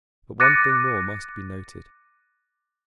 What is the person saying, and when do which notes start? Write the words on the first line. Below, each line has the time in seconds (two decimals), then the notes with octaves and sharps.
But one thing more must be noted.
0.40 D6 F#6 A6 A#6 C#7 D#7